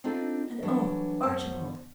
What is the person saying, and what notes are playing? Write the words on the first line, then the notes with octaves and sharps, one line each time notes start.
And, oh, Archibald!
C4 D4 D#4 F4 A4
E3 F#3 G3 A3 D4 F#4
F#2 B2 C5 A5